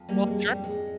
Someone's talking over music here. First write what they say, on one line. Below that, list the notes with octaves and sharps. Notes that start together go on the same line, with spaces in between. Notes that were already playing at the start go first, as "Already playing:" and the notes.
Well, sure.
Already playing: F2
G3 A#3
G#3
G3
G#3